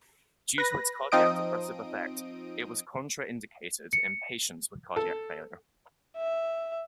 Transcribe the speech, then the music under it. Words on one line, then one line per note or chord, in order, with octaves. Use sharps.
Due to its cardiac depressive effect, it was contraindicated in patients with cardiac failure.
B4 A#6
F3 C4 D#4 D#5 D#6 D7
C#7
A4
E5